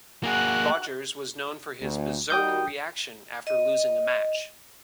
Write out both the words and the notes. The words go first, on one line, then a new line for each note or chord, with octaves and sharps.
Rogers was known for his berserk reaction after losing a match.
A#3 F#4 G#4 F#6
D2
D#3 G3 F#4 G5 D#6 G6
D#5